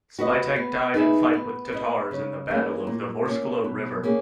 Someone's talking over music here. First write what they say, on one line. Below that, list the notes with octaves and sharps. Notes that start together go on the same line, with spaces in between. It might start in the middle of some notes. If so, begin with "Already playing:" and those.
Spytek died in fight with Tatars in the Battle of the Vorskla River.
F#4 B4 D#5
B3
D#4 G#4 B4 E5
B3
E4 B4 D#5
C#3
E3 A#3 C#4 G#4
A#2
A#3 C#4
B2
A#3 C#4 G#4